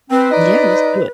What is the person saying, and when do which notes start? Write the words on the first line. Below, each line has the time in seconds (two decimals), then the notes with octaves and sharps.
Yeah, just do it.
0.11 C4 B4
0.32 D#4 D5 D#5